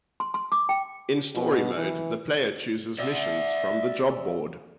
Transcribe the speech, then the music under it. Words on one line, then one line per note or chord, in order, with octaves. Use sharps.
In story mode, the player chooses missions from the Job Board.
C6
C6
D6
G5
B2
E3
D5 E5